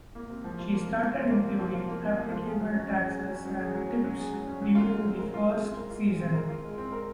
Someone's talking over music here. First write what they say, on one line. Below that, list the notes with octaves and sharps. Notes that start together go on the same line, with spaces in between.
She started including applicable taxes and tips during the first season.
A#3
C3
F3
F4
A#3
C3
F3
F4
A#3
C3
F3
F4
A#3
C3
F3
F4
G#4
F#3
C#4
F#3
G#4
F#3
C#4
F#3
G#4
F#3
C#4
F#3
G#4
F#3
C#4
F#3
F4
G#3
C4
A#4
F4
G#3
C4
A#4
F4
G#3
C4
A#4
F4
G#3
C4
A#4